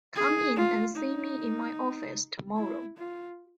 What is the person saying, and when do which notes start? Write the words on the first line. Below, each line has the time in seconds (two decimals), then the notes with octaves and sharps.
Come in and see me in my office tomorrow.
0.15 G#4
0.56 F4
0.96 D#4
2.57 E4
2.97 F4